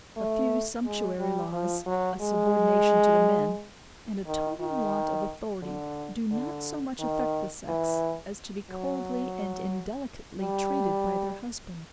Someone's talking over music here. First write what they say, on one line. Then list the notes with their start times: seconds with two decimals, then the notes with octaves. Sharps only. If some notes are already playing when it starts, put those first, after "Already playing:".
A few sumptuary laws, a subordination to the men, and a total want of authority, do not so much affect the sex, as to be coldly and indelicately treated by their husbands.
0.17 A3
0.85 G#3
1.19 G3
1.53 F3
1.87 F#3
2.22 G#3
4.27 D#3
4.61 D#3
5.63 D3
6.31 D3
7.00 D#3
7.68 E3
8.70 F#3
10.41 G3